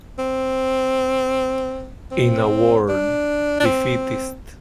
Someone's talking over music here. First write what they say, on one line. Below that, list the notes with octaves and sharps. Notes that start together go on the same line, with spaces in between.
In a word, defeatist.
C4
C4
D4
D4
C4